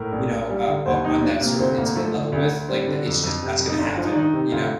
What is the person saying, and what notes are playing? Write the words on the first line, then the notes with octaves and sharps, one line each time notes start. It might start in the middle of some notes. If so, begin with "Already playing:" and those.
you know, uh uh, on that sort of intimate level with, like, that it's just that's gonna happen, you know?
Already playing: A2 A#4
A#1
A#1
G3
D3
D#2 C5
D#2 D#4
F3 D4
C3 A#3
D2 C4
D2 A#3
F3 A3
D3
D2
D2
G3 C4
D3 D4
F2
F2
C3
F2
D#4
G1 D4
F3 F4
D#4
D4
D#3 D#4
C3
D2 F4